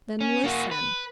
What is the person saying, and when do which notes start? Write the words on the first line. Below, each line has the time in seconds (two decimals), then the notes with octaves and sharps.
"Then, listen!"
0.21 C#4
0.44 A#3 F#4
0.71 B4